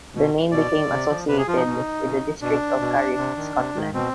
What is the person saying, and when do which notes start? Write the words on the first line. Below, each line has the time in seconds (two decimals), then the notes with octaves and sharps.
The name became associated with the district of Carrick, Scotland.
0.15 B2
0.52 B2 D5
0.90 C3
1.09 F3
1.28 C3 B4
1.38 G#4
1.48 F3 F4
1.57 D#4
1.66 B2
2.04 B2
2.42 B2 D4
2.80 B2
3.18 C3
3.37 D#3
3.56 C3
3.75 D#3
3.94 B2 C4